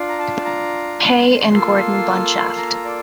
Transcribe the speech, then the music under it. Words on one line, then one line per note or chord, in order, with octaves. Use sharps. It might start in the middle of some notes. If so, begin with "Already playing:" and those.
Pei and Gordon Bunshaft.
Already playing: D4 F4
A#5
A5
A#5
C6
A#3 F4 A4
A#5
D5